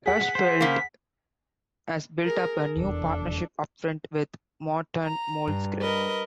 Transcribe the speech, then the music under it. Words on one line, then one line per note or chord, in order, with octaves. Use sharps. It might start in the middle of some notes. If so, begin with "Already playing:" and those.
Rushfeldt has built up a new partnership upfront with Morten Moldskred.
G#4 F#5 B6
C5
C#3 A#3
G#4 A#4
F1 E2 D4 A4
A#5
G2
A#4 B4 D#5